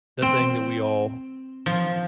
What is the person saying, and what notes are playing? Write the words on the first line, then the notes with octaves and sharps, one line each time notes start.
the thing that we all
C4
F3